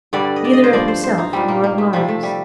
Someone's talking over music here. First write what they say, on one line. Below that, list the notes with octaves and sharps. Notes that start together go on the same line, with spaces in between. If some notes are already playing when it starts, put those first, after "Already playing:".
Neither of himself nor of Marius.
G2 D3 G3 D5
D#5
D5
D#5
C5
G2 F3 D5
C5
C5
D#4
A#2 G3 C4
A#3
A#3
A3
C3 F3 G3
A3
G3